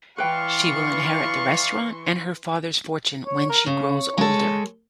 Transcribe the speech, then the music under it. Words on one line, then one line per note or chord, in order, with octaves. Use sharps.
She will inherit the restaurant and her father's fortune when she grows older.
E3 B4 D5 F5 G5 C6 C#6
C#5
A#4
C#3 C#5
G#3 A4